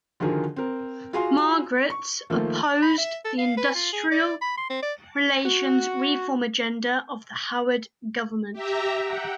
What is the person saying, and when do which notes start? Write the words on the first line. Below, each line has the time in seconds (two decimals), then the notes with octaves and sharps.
Margetts opposed the industrial relations reform agenda of the Howard Government.
0.20 D3 D#3 F3 F#4 G#4 A#4
0.56 C4 A#4
1.13 F4 F#4 G#4 F5 C6
1.90 C#6
2.30 D#3 F3 A3 A#3
2.82 B5
2.98 E5
3.25 A4
3.38 F5
3.57 B4
3.74 F4
3.93 G#4
4.11 D5
4.42 B5
4.58 C6
4.70 C4
4.83 D5
5.45 F#4
8.53 G4 E5 A#5
9.04 F#5 G5